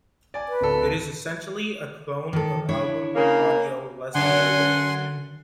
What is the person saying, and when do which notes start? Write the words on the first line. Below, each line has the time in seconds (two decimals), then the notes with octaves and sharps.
It is essentially a clone of album Audio Lessonover?
0.34 D5 G#5
0.49 B4
0.61 D1 A4
2.33 D#3 A4
2.69 D4 E4 C#5
3.16 C#3 A#3
4.15 F#2 D3 D4 F#5 G#5 C6